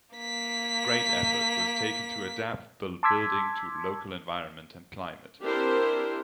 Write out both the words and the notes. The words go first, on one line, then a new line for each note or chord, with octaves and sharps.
Great effort was taken to adapt the building to local environment and climate.
A#3 B6
A5 C6 D6 E6 G#6 B6
C4 D4 E4 G4 A#4 C5